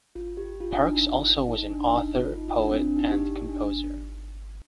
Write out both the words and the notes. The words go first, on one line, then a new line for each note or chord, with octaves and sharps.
Parks also was an author, poet and composer.
F4
G4
F4
D4
D#4
D#4
D4
D#4
F4
D#4
F4
D4
C4
D4
D#4
G4
D#4
D4